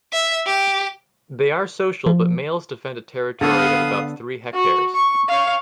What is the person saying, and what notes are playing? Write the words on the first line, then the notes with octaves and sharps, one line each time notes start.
They are social but males defend a territory of about three hectares.
E5
G4
F3
D3 B3 A4 C#5 F5 D#6
F#4
C#6
C#5 F5